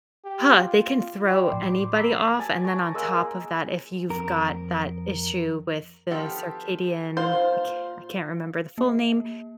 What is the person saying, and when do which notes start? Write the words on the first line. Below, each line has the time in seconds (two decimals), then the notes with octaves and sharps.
huh, they can throw anybody off, and then on top of that, if you've got that issue with the Circadian I ca I can't remember the full name,
0.24 G4
0.58 F4
1.28 D5 G5 B5 D6
1.49 A2 F3 C6
1.65 C6 D6
1.96 A#5 B5 D6 E6 B6 C7
2.39 D5 G#5 A5
2.64 D5 A#5 C#6
2.94 G#3 A#3 E6
4.10 F2 A#4
6.11 F3 B3 G4 A4
7.17 A#2 F4 C5
8.78 A#3